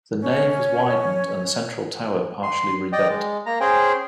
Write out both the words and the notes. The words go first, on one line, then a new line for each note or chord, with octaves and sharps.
The nave was widened and the central tower partially rebuilt.
C#4 C#5
C6
D5 D#5 G5
G#3
A#3 A#5
C#4 G#4 C5 G5